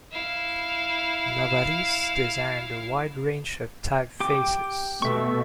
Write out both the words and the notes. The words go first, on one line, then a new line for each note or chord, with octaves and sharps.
Novarese designed a wide range of typefaces.
E4 F5
G4 G5 D6
B2 A3 E5 C#6